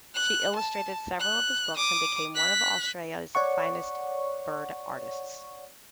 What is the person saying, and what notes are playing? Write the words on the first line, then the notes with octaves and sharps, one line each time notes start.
She illustrated several of his books and became one of Australia's finest bird artists.
F#6
A5
F#6
D6 D#6
F#6 B6
C#5 D5 F#5 C#6